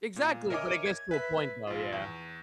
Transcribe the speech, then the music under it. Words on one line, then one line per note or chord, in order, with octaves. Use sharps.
Exactly, but it gets to a point though, yeah.
A#2
A#4 C#5 D#5 E5 G#5 D6
G#6
B4 E5 B6
A#1 F4
E2